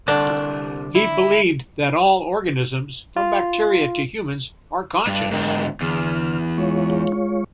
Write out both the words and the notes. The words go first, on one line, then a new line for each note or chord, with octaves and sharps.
He believed that all organisms from bacteria to humans are conscious.
C2 D3 D4
E4
F4
G2
G#2 D3 A#4 G5
E2 D3 F6
G#3 F4 C#5